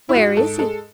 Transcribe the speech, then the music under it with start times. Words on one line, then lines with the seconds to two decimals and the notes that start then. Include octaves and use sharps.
"Where is he?"
0.09 E4
0.15 G#2 F#4
0.37 G#2 A4
0.59 G#3 A4